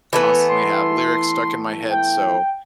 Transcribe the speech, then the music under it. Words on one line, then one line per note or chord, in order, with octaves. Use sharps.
constantly have lyrics stuck in my head, so,
E3 A3 B3
C6
G5